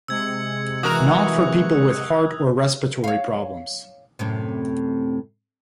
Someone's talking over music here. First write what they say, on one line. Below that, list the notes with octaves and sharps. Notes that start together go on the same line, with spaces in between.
Not for people with heart or respiratory problems.
C3 G#3 E6 G#6 C#7
E3 F#4 A#4 D#6 F#6
C#5 F5
F#2 A2 C3